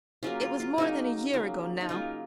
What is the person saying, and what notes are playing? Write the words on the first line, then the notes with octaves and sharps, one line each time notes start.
It was more than a year ago now.
C#3 F#3 A#3 F4
F4
F4
C#3 F#3 A#3 D#4
C#3 F#3 A#3
D#4
C#3 F#3 A#3 F4